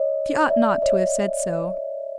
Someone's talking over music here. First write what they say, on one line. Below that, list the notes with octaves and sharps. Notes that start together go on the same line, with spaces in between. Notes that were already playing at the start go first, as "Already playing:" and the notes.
She ought not to have said so.
Already playing: C#5 D#5
D5 E5
C#5 D#5